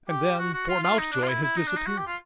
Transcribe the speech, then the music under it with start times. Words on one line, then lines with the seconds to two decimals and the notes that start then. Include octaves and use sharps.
And then poor Mountjoy has disappeared.
0.09 G4
0.38 F#4
0.53 F#4
0.68 F4
0.83 F4
0.98 D#4
1.12 D4
1.23 F4
1.28 E4
1.43 E4
1.57 D#4
1.67 D4
1.77 D#4
1.86 F#4
1.97 G4
2.07 F4